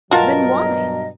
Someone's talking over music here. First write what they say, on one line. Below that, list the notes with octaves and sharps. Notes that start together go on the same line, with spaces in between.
Then, why?
G2 B2 F#3 F4 F#4 A#4 D#5 A5